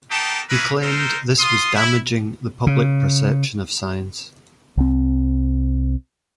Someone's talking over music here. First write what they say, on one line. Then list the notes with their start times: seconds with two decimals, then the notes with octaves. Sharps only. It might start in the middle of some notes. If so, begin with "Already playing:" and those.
He claimed this was damaging the public perception of science.
0.11 A#3 B3 D#4 G4 G5 A5
0.50 A#3 C#4 E4 G#4 A#4 B4
0.81 D#4 A4 A#4 C5
1.39 F4 C6 D#6
1.74 E4
2.67 C#3
4.77 C2 C4